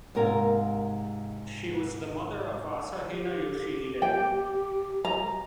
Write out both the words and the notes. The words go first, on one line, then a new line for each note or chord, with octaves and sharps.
She was the mother of Asahina Yoshihide.
G#2 C3 A#4 F5
G4
G5
A#5